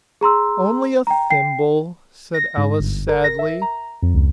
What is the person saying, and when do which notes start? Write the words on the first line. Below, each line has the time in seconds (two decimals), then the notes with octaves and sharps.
'Only a thimble,' said Alice sadly.
0.21 G#4 A#5 C6 E6
1.07 G5 A#5
1.30 G5 C7
2.34 A#6
2.57 G#2
2.80 G1
3.09 A#4
3.24 A#6
3.39 E5
3.62 A#5
4.02 F2
4.14 C#2